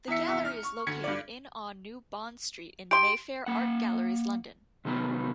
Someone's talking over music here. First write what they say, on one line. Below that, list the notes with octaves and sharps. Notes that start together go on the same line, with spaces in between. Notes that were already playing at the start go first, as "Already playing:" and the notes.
The gallery is located in on New Bond Street in Mayfair, art galleries london.
E2 E3 E5 C#7
F1 E2 E5
F6
C#6
D2 G#6 C#7
G2 D5
G4 C6 D7
A#3 F#5
C3 D#3 F#3 B3